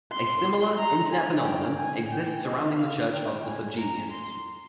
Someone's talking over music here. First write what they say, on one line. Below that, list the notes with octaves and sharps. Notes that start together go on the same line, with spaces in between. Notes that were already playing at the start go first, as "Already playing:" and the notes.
A similar Internet phenomenon exists surrounding the Church of the SubGenius.
C6
A#5
G#5
G5
G#5
G5
D#5
F5
G5
G#5
A#5
C6